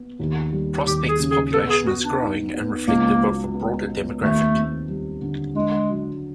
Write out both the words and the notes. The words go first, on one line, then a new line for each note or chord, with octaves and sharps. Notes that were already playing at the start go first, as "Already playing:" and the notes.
Prospect's population is growing and reflective of a broader demographic.
Already playing: B3
D#2
G3
D#2 G4
G#4
C#3
G#4
B3 A4
G#4
B3 F#4
D4
D#4
B3
C#2 A#3
F#3
B3
B3
D#2 A3
C4
G3
D3
G#3 D4
F#3